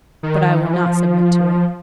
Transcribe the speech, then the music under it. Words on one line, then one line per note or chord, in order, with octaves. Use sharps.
But I will not submit to it.
D#3
E3
F3